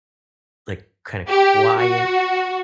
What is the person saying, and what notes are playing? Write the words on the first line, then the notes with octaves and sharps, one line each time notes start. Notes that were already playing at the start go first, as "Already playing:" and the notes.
like, kinda quiet.
G4
F#4